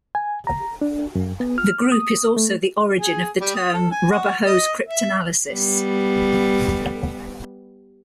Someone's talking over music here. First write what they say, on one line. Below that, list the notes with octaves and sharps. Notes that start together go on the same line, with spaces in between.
The group is also the origin of the term, "Rubber-hose cryptanalysis".
G#5
A#5
D4
F#2
B3
F6
D#6
A3
G#4
G3
D#6
A4
G#5
F#4
D#5
E5
G3 B3